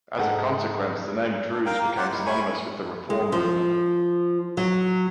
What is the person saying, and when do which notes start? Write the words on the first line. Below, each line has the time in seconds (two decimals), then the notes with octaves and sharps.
As a consequence, the name "Druze" became synonymous with the reform movement.
0.19 G#2 D#4 A4 F#5 G5
1.50 D4
1.66 A#4 F5 G5
1.80 A#3
1.97 F4 G4 C5 F#5
2.11 D#4 E4
2.26 G3 G#5 B5 C#6
3.10 G#3
3.32 F3
4.57 F#3